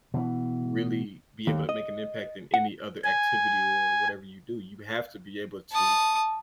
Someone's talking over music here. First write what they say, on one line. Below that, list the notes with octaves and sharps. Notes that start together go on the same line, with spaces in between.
really be able to make an impact in any other activity, or whatever you do, you have to be able to,
B2 E3
D#2
D#5
F#5
G#5
A5 D#6